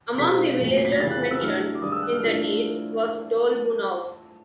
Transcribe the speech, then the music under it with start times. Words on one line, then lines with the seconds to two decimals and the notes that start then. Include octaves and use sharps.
Among the villages mentioned in the deed was "Dolbunov".
0.18 B2 G#3 C4 F4 B6
0.59 A#2 F#3 A3
0.77 C7
0.85 B6
0.92 A#6
1.00 F2 C#3 E3 G3 A6
1.11 F#6
1.21 F#6
1.31 E6
1.41 A2 F#3 A3 D4 F6
1.75 D6
1.82 G2 D#3 G#3 D#6
1.92 E6
2.02 F#6
2.13 F6
2.23 A2 F3 A3 D4 F4